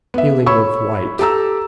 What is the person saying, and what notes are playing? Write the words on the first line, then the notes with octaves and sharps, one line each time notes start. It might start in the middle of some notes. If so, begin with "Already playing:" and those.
Feeling of white.
B3 E5
C#5 B5 C#6 E6
G4 A4 A#5 E6